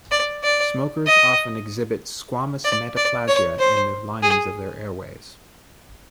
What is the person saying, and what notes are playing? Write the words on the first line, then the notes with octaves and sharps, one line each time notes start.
Smokers often exhibit squamous metaplasia in the linings of their airways.
D5
D5
D#5
D5
D5
C#5
C5
G#4